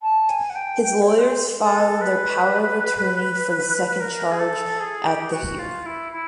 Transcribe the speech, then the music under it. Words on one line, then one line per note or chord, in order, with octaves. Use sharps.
His lawyers filed their power of attorney for the second charge at the hearing.
A5
G#5
F#5
G5
G5
C#5
B4
C5
A4
B4
A#4
G#4
A4
G#4
G4
F#4
F4
E4
E4